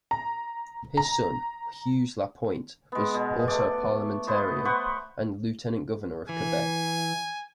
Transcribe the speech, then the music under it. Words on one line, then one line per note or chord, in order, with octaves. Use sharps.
His son, Hugues Lapointe, was also a parliamentarian and Lieutenant Governor of Quebec.
A#5
A#5
G#3 B3
B2
A3 D5
B3 C5 D#5
B4 C5 F#5 C#6
E3 G#5